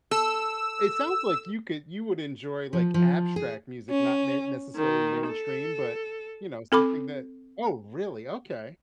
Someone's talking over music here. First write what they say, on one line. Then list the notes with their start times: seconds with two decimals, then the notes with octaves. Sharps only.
It sounds like you could you would enjoy, like, abstract music, not ma necessarily mainstream, but, you know, something that Oh, really? Okay.
0.11 A4 E6
2.73 F3
2.94 F3
3.36 G#4
3.89 C#4
4.76 D#3
5.27 A4
6.72 C4 A4 B5 D6